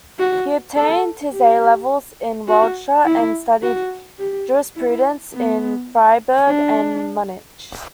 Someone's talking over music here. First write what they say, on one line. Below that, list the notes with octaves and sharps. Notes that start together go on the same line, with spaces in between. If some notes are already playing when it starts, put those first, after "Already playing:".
He obtained his A-levels in Waldshut, and studied jurisprudence in Freiburg and Munich.
F#4
A4
G4
F#4
E4
F#4
G4
E4
B3
D4